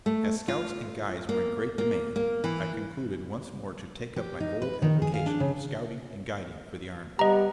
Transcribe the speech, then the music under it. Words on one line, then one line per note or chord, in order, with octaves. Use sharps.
As scouts and guides were in great demand, I concluded once more to take up my old avocation of scouting and guiding for the army.
A3
F4
A#3
A#3
A#3
E3
G4
D#4
B4
D#3
G#4
F5
D4
C#3
G3 B3 G4 D#5 A#5